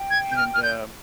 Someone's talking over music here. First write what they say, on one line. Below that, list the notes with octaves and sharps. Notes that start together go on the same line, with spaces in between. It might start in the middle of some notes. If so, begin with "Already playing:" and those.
and, um,
Already playing: G5
G#6
G6
F6
F6
G6